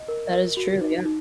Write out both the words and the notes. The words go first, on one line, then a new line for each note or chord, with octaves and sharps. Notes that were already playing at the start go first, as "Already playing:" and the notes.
That is true, yeah.
Already playing: D#5
A#4
A#4
F#4
D#4
D#4